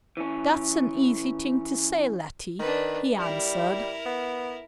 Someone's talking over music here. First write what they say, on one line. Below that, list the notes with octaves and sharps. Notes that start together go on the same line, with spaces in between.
"That's an easy thing to say, Letty," he answered.
E3 C#4
D#3 D4 B4
G3 E4 A#4
B3